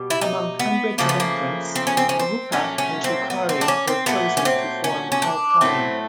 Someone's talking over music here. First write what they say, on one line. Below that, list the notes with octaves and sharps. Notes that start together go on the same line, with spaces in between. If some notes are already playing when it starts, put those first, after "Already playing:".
Among hundreds of entrants, Haruka and Yukari were chosen to form Halcali.
Already playing: B2 G3
E4
D#4
B3
C#3 F3 A3 A#3
B3
A#3
C4
C#4
C4
C#4
C4
A#2 F#3 A3 C#4
C#4
C4
B3
C4
D4
C#4
C4
A#2 F#3 A3 B3
C#4
C4
C#4
C#4
D4
A2 F#3 A3 C4